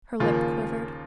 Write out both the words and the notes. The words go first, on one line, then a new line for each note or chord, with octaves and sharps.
Her lip quivered.
D#2 C#3 F3 A#3 F4